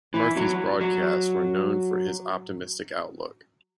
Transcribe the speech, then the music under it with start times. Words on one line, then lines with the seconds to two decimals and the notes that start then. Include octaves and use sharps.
Murphy's broadcasts were known for his optimistic outlook.
0.14 E3
0.37 F#3
0.81 F#3